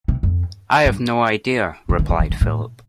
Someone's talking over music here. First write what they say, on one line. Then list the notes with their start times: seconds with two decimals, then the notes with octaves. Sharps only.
I have no idea, replied Philip.
0.08 C3
0.23 F2
0.86 G2
1.89 D3
1.99 E3
2.09 F3
2.19 E3
2.30 D3
2.41 A2